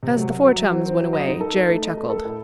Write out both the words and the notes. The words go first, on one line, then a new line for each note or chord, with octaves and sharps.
As the four chums went away, Jerry chuckled.
C3
F#3
F#3
F#3
F#3
C4
C4
F#3
D#5
D#4
A4
D#4
A3
D#5
A3
A4
A2